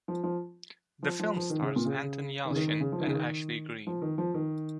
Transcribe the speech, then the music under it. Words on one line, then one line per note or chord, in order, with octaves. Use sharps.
The film stars Anton Yelchin and Ashley Greene.
F3
F3
F3
F3
F3
D#3
C#3
A#2
C#3
D#3
C#3
D#3
D#3
C#3
F3
D#3
C#3
D#3
F3
D#3
F3
D#3